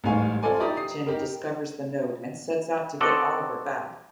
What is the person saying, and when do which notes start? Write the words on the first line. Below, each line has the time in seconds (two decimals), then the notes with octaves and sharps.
Jenny discovers the note and sets out to get Oliver back.
0.04 A1 G#2 G3 F5 G#5 C#6
0.43 C4 F4 A4 D5 G#5
0.59 D#4 E4 G4 D5 A#5 D#6
0.77 D#6 C7
1.06 D#4 G4 A#4
3.01 C4 F#4 A4 D5 D#5